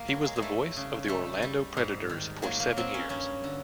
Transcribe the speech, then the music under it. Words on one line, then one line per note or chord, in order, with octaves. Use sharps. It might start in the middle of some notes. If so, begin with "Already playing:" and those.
He was the voice of the Orlando Predators for seven years.
Already playing: A#3
F#3
G#3
G#3
G3 A3
C#3
G3 A3
G3
G#2
D#3
F#3 A#3
A#3
F#3 C4
C#4
G2 C#4
D3